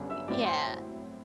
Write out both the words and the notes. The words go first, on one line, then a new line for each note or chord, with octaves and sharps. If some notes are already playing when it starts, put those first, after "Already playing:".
y yeah.
Already playing: G1 F#2 D3 G3 B3
E5 E6
A2 F#3 C4 E4 D5 D6
C5 C6